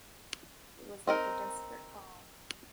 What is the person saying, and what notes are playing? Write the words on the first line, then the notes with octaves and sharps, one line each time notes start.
It was like a desperate call.
C4 D#4 A#4